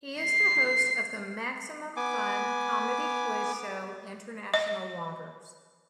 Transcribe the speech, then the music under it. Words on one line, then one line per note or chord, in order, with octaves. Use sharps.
He is the host of the Maximum Fun comedy quiz show International Waters.
C7
B3 G#5 D6
D#5